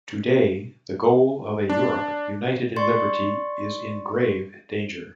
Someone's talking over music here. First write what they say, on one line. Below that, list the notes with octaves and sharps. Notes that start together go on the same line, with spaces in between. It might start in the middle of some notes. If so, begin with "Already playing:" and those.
Today, the goal of a Europe united in liberty is in grave danger.
D4
D5 C6 C#6 A6 C#7